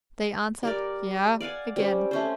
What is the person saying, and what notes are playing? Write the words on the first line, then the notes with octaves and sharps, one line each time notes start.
They answered "yea" again.
G3 A#4 D5
D5 F5 F#5 G#5
G3 C4 C#4
A3 C#4 C5